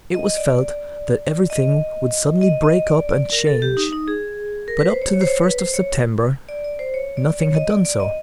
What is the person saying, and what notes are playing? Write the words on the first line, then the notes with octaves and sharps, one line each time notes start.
It was felt that everything would suddenly break up and change, but up to the first of September nothing had done so.
D#5
D5
D#5
D#5
D#5
D5
D5
A#4
A4
G4
D#4
D#4
G#4
A#4
B4
C5
C#5
C#5
C5
C#5
B4
C5
C#5
D5
D5
C5
C#5
D5
C#5
D#5
D5
D5
D#5